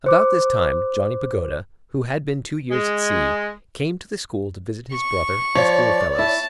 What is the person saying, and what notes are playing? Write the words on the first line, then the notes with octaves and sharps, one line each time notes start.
About this time Johnny Pagoda, who had been two years at sea, came to the school to visit his brother and schoolfellows.
C5 D6
G#3
C#6
F3 C#5 D5
E4 A5